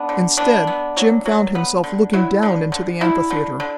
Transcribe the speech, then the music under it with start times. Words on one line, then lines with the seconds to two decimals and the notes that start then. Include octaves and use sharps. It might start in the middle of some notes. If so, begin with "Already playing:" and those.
Instead, Jim found himself looking down into the amphitheatre.
Already playing: B3 D4
0.09 D3
0.37 B3 D4
0.67 B3
0.97 F#3
1.26 F#3
1.55 B3
1.84 D3
2.13 F#3 E4
2.43 D3
2.72 D3
3.01 D3 E4
3.31 D3
3.60 D3